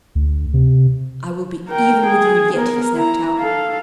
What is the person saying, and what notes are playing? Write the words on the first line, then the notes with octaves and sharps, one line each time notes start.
'I will be even with you yet,' he snapped out.
D2
C3
A#4 G5
G#4
B3 A#4
E4 A#5
A4 F5